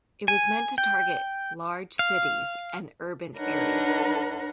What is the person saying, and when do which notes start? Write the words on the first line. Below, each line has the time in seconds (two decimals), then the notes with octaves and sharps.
It was meant to target large cities and urban areas.
0.28 G#5
0.78 G5
1.99 F5
3.37 D4 D#4 A#4 B4 C#5 F#5